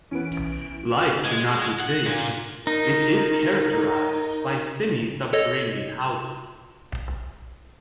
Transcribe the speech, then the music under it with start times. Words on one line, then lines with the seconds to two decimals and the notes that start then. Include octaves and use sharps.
Like the Natufian, it is characterized by semi-subterranean houses.
0.11 E3 B3 C#4 D7
1.25 G#3
1.80 F#5
2.06 A#2
2.67 D#4 A#4
5.33 A4 C#5 D#5